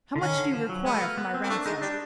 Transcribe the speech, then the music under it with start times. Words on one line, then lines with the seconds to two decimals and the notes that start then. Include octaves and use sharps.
"How much do you require for my ransom?"
0.16 D3
0.21 D#3 C#4
0.37 D3
0.53 F3
0.69 F#3
0.85 G#3 B3
0.94 A3
1.02 A#3
1.18 B3
1.34 C4
1.44 A#3
1.50 A3 D4
1.66 G#3 D#4
1.82 G3 D4